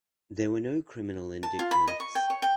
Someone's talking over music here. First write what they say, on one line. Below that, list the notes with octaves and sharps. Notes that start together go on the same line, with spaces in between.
There were no criminal indictments.
A5
F4
B5
D#5
C#6
G5
C#5
G5